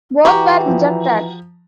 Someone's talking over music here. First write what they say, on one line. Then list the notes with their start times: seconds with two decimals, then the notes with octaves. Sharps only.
Both were rejected.
0.25 E3 F#4 G4 A#5
0.68 F3